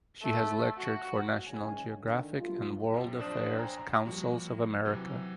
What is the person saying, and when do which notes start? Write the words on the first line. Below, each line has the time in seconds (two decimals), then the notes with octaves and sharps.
She has lectured for National Geographic and World Affairs Councils of America.
0.22 A3
0.77 F#4
1.47 F#1 C#2 D#3 C#5 F5 G#5
2.01 D3 D#3
2.39 F#3 G3 A3 B3 F4
2.94 F#2 C3
3.19 A#1 D4 C5 D5 D#6 E7
3.59 C5 C#5 G5 G#5 A#5
3.80 A#5
4.05 F3 G3 A#3 F#4
4.85 C3 E3 F#3